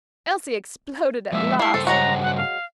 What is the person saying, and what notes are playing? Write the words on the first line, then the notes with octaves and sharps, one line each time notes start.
Elsie exploded at last.
F3 G#3 A#3 E5
A3 A#3 E4 C7
G2 C#3 A4 C5
F#3 G#3 F#4 A#5
F#5
F5